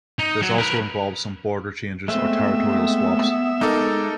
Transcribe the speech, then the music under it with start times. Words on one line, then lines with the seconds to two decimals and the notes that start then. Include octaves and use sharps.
This also involved some border changes or territorial swaps.
0.19 D#4
0.42 F#3
0.58 A#4 B4
2.08 G#3 A3 B3 C4 E5
3.61 G#3 D#4 A4 A#4 D6